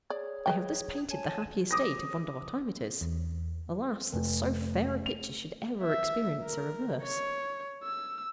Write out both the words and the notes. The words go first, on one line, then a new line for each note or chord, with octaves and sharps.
I have thus painted the happy estate of Vondervotteimittiss: alas, that so fair a picture should ever experience a reverse!
G#4 C#5 D5
B4 D#5 G5
C#5 G#5 A5
D6 D#6 A#6
E2
F1
F7
E5
A#4
C#5
E6